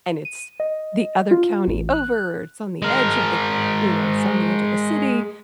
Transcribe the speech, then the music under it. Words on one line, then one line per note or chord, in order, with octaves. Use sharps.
and it's the other county over. It's on the edge of the you know, it's on the edge of the city."
D#7
D#5
F4
A1
F#6
G#3 A#4